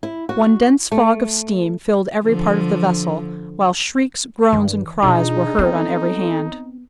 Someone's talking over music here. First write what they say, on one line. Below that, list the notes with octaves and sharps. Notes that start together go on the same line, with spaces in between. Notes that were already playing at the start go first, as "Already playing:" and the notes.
One dense fog of steam filled every part of the vessel, while shrieks, groans, and cries were heard on every hand.
E4
F#4
A3
D3 F3
G2 D#3 E3
B2 E3 D4 D#4 F4 G#4
B3 C4 A4